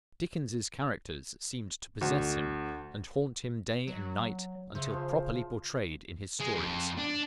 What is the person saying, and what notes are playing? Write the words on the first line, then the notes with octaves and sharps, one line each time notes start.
Dickens' characters seemed to possess him, and haunt him day and night until properly portrayed in his stories.
D2
F#3
C#3 C5 E5
F3 C6
G#3
F2
D4